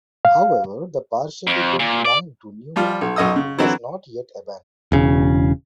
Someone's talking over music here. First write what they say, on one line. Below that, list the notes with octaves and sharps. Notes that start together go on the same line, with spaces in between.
However the partially built line to Newark was not yet abandoned.
F5
F2
A#2
D5
F3 G3 F4
B1
B1 F#2 D#5 D#6 E6
C#3
D3 E3 F#3 C4 E4
E1 C#3